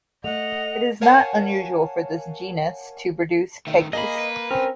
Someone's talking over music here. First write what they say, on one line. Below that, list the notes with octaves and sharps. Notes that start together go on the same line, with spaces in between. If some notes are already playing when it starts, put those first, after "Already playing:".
It is not unusual for this genus to produce keikes.
A3 D#5 F#5 F7
A#4 C#5 F5 F#5 G#5 A5
D#3 A3
A#3 G#4 D#5 B5
B4
C4 C#4 A#4